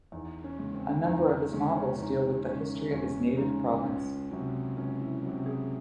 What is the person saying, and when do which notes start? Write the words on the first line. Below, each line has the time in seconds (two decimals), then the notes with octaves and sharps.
A number of his novels deal with the history of his native province.
0.12 E2 D#4
0.44 C#4
0.59 C#3 G#3
0.74 C4
1.05 E2 D#4
1.52 C#3 G#3 C#4
1.75 C#4
1.98 E2 D#4
2.45 C#3 G#3 C#4
2.90 E2 C#4
3.37 C#3 G#3 D#4
3.83 C#2 C#4
4.31 C3 F#3 C#4
4.77 C#2 C#4
4.99 E4
5.23 C3 F#3
5.46 G#4